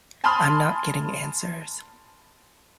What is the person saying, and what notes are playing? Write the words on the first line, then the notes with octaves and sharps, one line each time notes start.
I'm not getting answers.
G#5 A5 B5 C6 D#6 F6